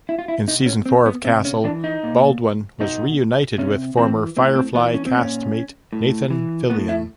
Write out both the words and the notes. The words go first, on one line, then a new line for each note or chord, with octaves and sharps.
In season four of "Castle", Baldwin was reunited with former "Firefly" castmate Nathan Fillion.
E4
F4
E4
B2 D#4
C#4
C4
B3
C3 C4
C#4
E3 D4
D#4
A#2
B2 D#4
C3 C#4
E3 C4
A2 C4
C4
E3 B3
C#4
C4
A#2 C#4
A2
E3
A2 B3
E4